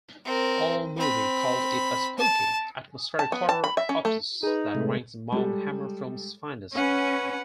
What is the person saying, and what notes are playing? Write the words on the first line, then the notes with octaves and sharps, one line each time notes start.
AllMovie called it a spooky, atmospheric horror opus that ranks among Hammer Films' finest.
C4 A#4
C4 B5
A5
A5
B3
A5
B5
E5
C#4
A3
D#4 G#4 B4
C3 G#3 A3
G3 G#3 G4 A4
C#4 B4 F#5